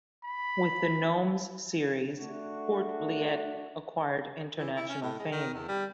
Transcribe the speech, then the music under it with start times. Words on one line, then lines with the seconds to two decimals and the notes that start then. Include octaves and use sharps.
With the Gnomes series Poortvliet acquired international fame.
0.24 B5
2.18 A3 D4 F#4
4.59 E3
4.76 E4
4.89 C#4
5.02 A2
5.19 G#3
5.32 D#3
5.53 E2
5.68 G3